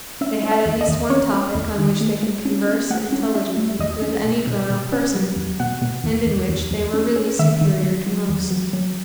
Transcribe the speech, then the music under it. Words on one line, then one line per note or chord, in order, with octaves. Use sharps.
They had at least one topic on which they could converse intelligently with any grown-up person, and in which they were really superior to most.
C#4 E5
C#4
E5
E2
D#5
E2
C#4 C#5
C#4
E2
D#3
A3
A3
C#4
C#4
A3 F#5
C#4
C#4 E5
A3
E2 D#5
C#4
B2
B2
B2
C#4
F#3
E2
B2 F#5
B2
E2
E2
E2
E2
C#4
C#4
D#3 E5
D#3
F#3
F#3
E2
F#3
F#3